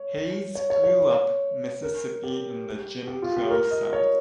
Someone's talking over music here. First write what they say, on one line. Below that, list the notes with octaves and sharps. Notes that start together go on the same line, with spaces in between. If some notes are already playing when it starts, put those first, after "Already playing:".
Hayes grew up Mississippi in the Jim Crow south.
Already playing: C#5
C#5
C#5
C#5
A#4
G4
G4
F4
G4
A#4
D#5
C#5